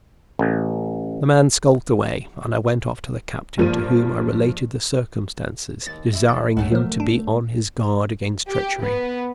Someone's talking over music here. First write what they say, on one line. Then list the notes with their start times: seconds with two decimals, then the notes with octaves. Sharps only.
The man skulked away, and I went off to the captain, to whom I related the circumstance, desiring him to be on his guard against treachery.
0.39 A1
3.58 G2 F3 A#3 D#7
5.86 D#2 A6
6.13 E3 E4 D#5
6.29 D5
6.57 C#2 G#2 C#3 A3 F#4
6.72 F3 F#3 A#4
7.00 D4
8.49 G4
8.83 B3